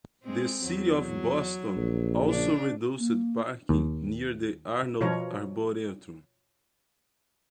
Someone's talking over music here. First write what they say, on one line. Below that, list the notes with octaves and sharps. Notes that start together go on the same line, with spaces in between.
The city of Boston also reduced parking near the Arnold Arboretum.
G#3 C4
E2 F#3
A#1
C#3 D4
A#3
D#2
B2 F3 F4 C#5 A#5